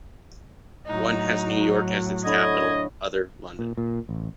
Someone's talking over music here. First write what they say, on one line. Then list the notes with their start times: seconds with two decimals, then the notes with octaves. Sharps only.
One has New York as its capital, other London.
0.87 A2 F#3 D#4
2.26 D3 E4 C#5 D#5 G#6
3.59 A#2
3.78 A#2
4.09 A1